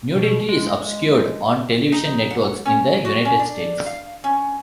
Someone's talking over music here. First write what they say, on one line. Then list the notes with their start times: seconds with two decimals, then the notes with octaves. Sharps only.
Nudity is obscured on television networks in the United States.
0.15 B2
0.49 G#3
1.92 D#4
2.30 F#5
2.65 C#4
3.05 F#4
3.25 C#4
3.39 D4
3.86 F5
4.24 C#4